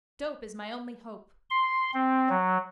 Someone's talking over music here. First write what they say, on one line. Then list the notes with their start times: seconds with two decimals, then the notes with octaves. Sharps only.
Dope is my only hope...
1.50 C6
1.94 C4
2.29 F#3